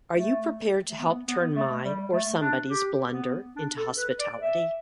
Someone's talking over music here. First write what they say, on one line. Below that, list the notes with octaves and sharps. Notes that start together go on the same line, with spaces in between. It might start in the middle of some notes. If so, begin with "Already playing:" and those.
Are you prepared to help turn my, or somebody's, blunder into hospitality?
A3
A3
B3
B3
A3
G3
A3
D4
G4
B3
D4
A4
B4
D5
E5